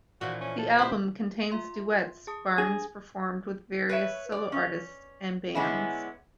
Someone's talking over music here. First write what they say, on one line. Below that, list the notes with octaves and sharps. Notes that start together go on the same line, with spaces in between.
The album contains duets Barnes performed with various solo artists and bands.
A#2 E3 F3 F#4
C#4
A4
E4 G4 C5
F4 E5 C6
G#4 A5 D#6
D4 G#4 A#6
B4 C#5 E5
D5
C#4
D3 G#3 B3 C#4 E4